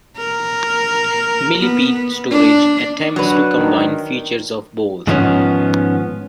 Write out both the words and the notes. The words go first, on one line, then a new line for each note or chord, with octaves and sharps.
Millipede storage attempts to combine features of both.
A#4
B3
D4
F#3 D4 B4
D#3
G#2 D#3 F3 G3 B3 C#4